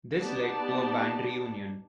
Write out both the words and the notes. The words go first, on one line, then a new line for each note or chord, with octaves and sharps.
This led to a band reunion.
B3 D#4 G4 D5 A5